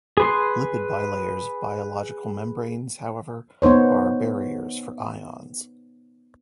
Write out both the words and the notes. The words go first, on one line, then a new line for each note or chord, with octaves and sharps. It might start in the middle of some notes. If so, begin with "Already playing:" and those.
Lipid bilayers of biological membranes, however, are barriers for ions.
G#4 B4 C6
B3 D#4 C5 C#5